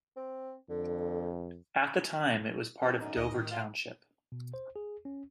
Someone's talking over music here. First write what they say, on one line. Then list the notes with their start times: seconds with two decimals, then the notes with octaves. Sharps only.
At the time, it was part of Dover Township.
0.17 C4
0.70 F2 D3
2.82 D2 E3 C4
3.01 F#2 D3 D#4
3.17 D2 D#5
3.32 A2 D#3
3.51 F4
4.32 B2
4.54 C5
4.76 G#4
5.05 C#4